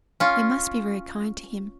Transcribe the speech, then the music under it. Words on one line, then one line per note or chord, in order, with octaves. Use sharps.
We must be very kind to him.'
C#4 F4